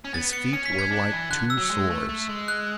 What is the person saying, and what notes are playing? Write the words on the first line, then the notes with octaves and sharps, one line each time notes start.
His feet were like two sores.
C#4
B3 A6
C#7
C#4 C#7
B6
C#4
G#6
D4
E3
D3 F#6
E6
F#3
G#3
A3
A3
G#3
F#6